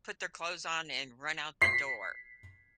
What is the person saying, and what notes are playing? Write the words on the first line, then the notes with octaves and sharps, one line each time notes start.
put their clothes on, and run out the door,
B6 C7